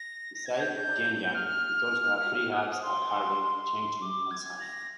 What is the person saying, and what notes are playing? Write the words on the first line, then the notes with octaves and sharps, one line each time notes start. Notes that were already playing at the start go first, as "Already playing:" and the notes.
Besides Shenyang, it also had three hubs at Harbin, Changchun and Sanya.
Already playing: A#6
A#6
G#6
G6
F6
D#6
C6
D6
G#6
A#6